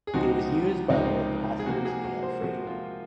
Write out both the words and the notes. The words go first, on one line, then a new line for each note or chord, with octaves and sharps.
It was used by both passengers and freight.
G#4
C#2 C3 F3 C4 D#4 F#4
C#2 C3 F3 C4 D#4
G#4
C3 F3 A#3 F#4
G#4
F#4
C5
C3 F3 A#3 F#4
F4